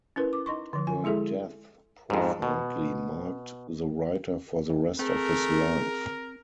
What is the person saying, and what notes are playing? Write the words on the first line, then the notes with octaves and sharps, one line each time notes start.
Her death profoundly marked the writer for the rest of his life.
C#4 E4 A#4 B4
D6
D#4 D#5 C6 C#6
D3 F3
F4 G#5
G#3 E4 G#4 A4 E5
F2 G#2
B2
A3 C4 G#4 A#4